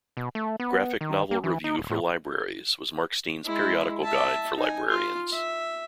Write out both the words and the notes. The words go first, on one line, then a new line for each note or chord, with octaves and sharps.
"Graphic Novel Review for Libraries" was Markstein's periodical guide for librarians.
B2
A3
B3
D#3
A#3
E3
D#4
D#1
A2
G#3 E4
E5 A5
D#4 G#5
F4
E5